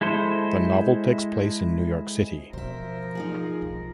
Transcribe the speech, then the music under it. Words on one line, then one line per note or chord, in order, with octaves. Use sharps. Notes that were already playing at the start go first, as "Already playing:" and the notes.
The novel takes place in New York City.
G#3 E4 A4 C5
B2 F3 A#4 C5 E5
D#4 F4 G#4
B1 G3